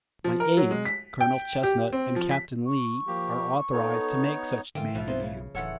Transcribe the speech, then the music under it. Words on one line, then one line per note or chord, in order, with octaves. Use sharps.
My aides, Colonel Chesnut and Captain Lee, are authorized to make such demand of you.
F3
A#4
F#3
G#3
B6
G5
G4
C4
F3
B6
C#6
F3 A#3 G4
B3 D#4 A4 C#5
D3 E3 A#3 F4 G5
B1 E3 F3 E4 F4
B3 C4 D#4
C#3
D1 E3 F4 A4 C#5 F#5